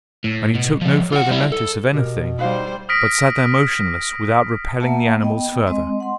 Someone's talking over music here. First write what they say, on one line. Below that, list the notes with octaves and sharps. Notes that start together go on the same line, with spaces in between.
And he took no further notice of anything, but sat there motionless, without repelling the animals further.
A2
B2
F3 G#3
F4 F#5
G3 E4
A4
B2 G4 A#4
G3 D#4 F#4 C5 F5
D#6 F6 A#6 B6 D7
A#3 E5 F#5 A5
B3 D#5 G5
G#3 C4 D#5
F#5 C6